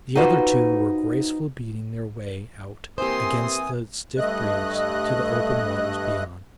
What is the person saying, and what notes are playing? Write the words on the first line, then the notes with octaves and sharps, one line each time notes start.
The other two were gracefully beating their way out against the stiff breeze to the open waters beyond.
D#4 F4 F#4 B4 C5
E3 A#3 C4 G4 C5 G#5 C6 D#6
G2 A3 D#5 F#6